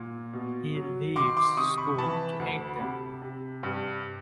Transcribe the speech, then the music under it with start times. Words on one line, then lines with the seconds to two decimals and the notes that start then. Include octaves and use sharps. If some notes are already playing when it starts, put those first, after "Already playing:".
He leaves school to aid them.
Already playing: A#2
0.33 B2
0.75 F#3
1.16 D#3 C6 D6
1.37 C6 D6
1.57 C3 C#6 D#6
1.78 B5 C#6
1.98 E3 A5 B5
2.40 D2
2.81 C3
3.22 C3
3.63 G2